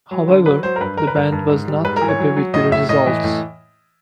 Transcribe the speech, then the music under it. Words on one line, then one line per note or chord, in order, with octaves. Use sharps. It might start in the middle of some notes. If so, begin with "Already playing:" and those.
However, the band was not happy with the results.
F#3
D3
F#3 B4
F#3 C5
A#4
G2 B4
D#3 A#4
B4
G2 A#4
G2
G#2
G3
G#2 B4
A#4
E3
C#5
F#3
F#3
A2 D#5
A2 E5
A2 D#5
E3
A2